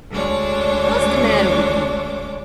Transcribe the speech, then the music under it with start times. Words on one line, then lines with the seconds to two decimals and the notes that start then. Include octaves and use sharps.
What's the matter with you?
0.11 D2 G#3 D4 C#5 D6